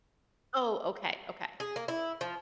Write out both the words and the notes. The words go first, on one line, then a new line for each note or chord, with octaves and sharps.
Oh, okay, okay,
G#4
A#3
E4
F3